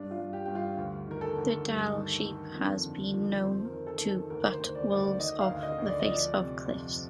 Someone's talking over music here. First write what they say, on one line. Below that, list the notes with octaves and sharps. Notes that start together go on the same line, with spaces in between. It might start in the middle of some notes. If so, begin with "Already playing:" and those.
The Dall sheep has been known to butt wolves off the face of cliffs.
Already playing: G2 D4
F4
G2
G4
G2 G4
F4
D2
D#3 A#4
A4
D2
G2
D#3
D#3
F2
D3
F3
F2 C5
A#4
D#3
A4
D#3
A4
D2 A#4
C5
D2
D5
D2
D5
D#3 D#5
F5
D2
D#5
D2
D5
D#5
F3
D5
C3
F2